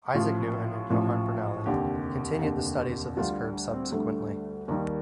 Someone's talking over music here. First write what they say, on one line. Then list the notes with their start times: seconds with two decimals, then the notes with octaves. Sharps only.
Isaac Newton and Johann Bernoulli continued the studies of this curve subsequently.
0.14 A1 A2 F3 F4
0.90 A1 A2 F3
1.66 F1 D#2 D3 G4
2.41 F1 D#2 D3
3.17 D2 D3 G3 F4
3.54 D4
3.74 C4
3.92 D2 D3 G3 A3
4.68 D#2 D#3 G3 A#3